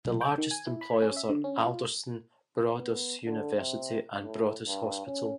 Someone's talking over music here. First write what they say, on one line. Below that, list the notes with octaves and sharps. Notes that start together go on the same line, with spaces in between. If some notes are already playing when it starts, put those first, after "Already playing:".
The largest employers are Alderson Broaddus University and Broaddus Hospital.
B1
G5
D#3
G#5
E4
B5
C#4
E5
D3
C#4
F4
B3
D3
C3
A2
G2
C#4